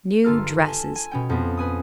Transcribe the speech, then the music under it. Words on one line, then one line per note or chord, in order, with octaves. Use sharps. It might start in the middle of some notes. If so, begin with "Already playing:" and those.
New dresses!
G1 F4 A4 F6
G#5 A5
G#5
B2 C#4 G5
F2 B3
B4 G#5 D#6